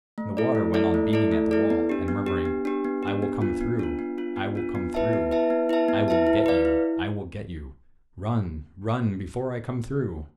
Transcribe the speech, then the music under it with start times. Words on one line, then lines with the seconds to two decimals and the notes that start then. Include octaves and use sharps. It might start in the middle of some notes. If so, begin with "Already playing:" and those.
And the water went on beating at the wall, and murmuring, "I will come through, I will come through, I will get you, I will get you, run--run--before I come through!"
0.18 A3
0.37 E4 A4 D5
0.55 A3
0.74 E4 A4 D5
0.94 A3
1.13 E4 A4 D5
1.32 A3
1.51 E4 A4 D5
1.70 B3
1.89 D4 G4
2.08 B3
2.26 D4 G4
2.45 B3
2.65 D4 G4
2.85 B3
3.03 D4 G4
3.22 B3
3.41 D4 F4
3.61 B3
3.79 D4 F4
3.99 B3
4.18 D4 F4
4.36 B3
4.55 D4 F4
4.75 B3
4.94 E4 B4 E5 A5
5.13 B3
5.31 E4 B4 E5 A5
5.50 B3
5.69 E4 B4 E5 A5
5.88 B3
6.08 E4 B4 E5 A5
6.27 E4
6.46 B4 D5 F5
6.65 E4